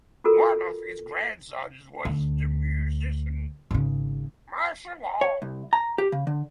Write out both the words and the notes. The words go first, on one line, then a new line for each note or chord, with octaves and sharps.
One of his grandsons was the musician Marshall Hall.
F4 F#4 A4 A#4
D2
G#1 C#3
C#5
C2
A#5
G4
C#3
D3